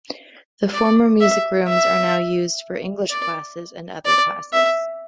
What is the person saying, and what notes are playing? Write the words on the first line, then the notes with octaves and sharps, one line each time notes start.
The former music rooms are now used for English classes and other classes.
D5
E5
E5
D5
D5
E5